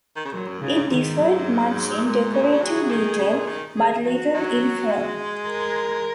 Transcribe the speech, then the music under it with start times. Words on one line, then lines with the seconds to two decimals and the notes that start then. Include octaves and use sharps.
It differed much in decorative detail, but little in form.
0.16 D#3
0.25 C#3
0.33 A#2 F#3
0.47 F#2
0.61 G#2 C#3
0.75 G#2
0.90 G#2 D#3
1.19 F#3
2.05 A#2 G#3
2.33 C#3 A#3
2.42 A#2
2.52 C#3
2.61 F#3 G#4
2.84 F#3
2.90 D#3
3.19 C#3
3.34 A#2
3.48 D#3
3.77 G#4
4.05 F#4
4.34 F#3
4.91 G#3
5.48 A#4